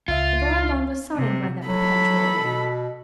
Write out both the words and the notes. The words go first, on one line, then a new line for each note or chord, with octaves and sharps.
The broad lawn was soddened by that perpetual rain.
C#2 F4 E5
C3
F#3 A4 B5
B2